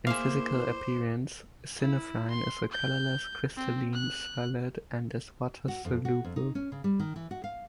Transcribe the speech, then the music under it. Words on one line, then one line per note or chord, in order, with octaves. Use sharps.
In physical appearance, synephrine is a colorless, crystalline solid and is water-soluble.
A#3 E4 G#4 C5 F5 D6 E7
E4
C6
G6
C4
F#6
F#4
F2
F#4
F2
D#4
C#4
C#3
G3
D#3
E3
F#4
F5